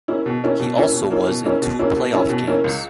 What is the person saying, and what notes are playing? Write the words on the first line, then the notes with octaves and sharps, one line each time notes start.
He also was in two playoff games.
A#3 C#4 E4
B2
A#3 C#4 E4
B2
A#3 C#4 E4
B2
A#3 C#4 E4
B2
A#3 C#4 E4
B2
A#3 C#4 E4
B2
A#3 C#4 E4
B2
A#3 C#4 E4
C#2